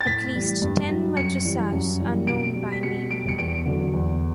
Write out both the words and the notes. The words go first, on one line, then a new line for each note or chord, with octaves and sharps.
At least ten madrasas are known by name.
A6
A2 B6
E3 G3
G2
F#3
F#2 C#7
E3 G3
F#2
E3 G3
B2 D7
G3
B6
B2 C#7
G3 D7
C#7
E2 D7
D3 F#3
E2